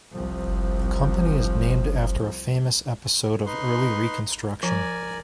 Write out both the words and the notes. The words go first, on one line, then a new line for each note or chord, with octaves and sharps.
The company is named after a famous episode of early Reconstruction.
C2 F3
D#4 B4 C6
F3 A#4 D5 G#5